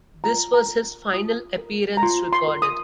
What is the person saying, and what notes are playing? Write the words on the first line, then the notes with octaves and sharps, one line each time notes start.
This was his final appearance recorded.
F4 A#5
A#5
A#4
F4 D#6
A#4
A#5
F4 C6
C6
A#4
D#6